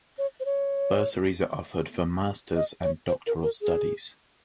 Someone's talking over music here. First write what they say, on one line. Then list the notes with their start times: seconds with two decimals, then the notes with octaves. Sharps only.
Bursaries are offered for Master's and doctoral studies.
0.18 C#5
0.40 C5
0.45 C#5
2.56 D#5
2.83 C#5
3.08 C5
3.27 A#4
3.44 A#4
3.62 G#4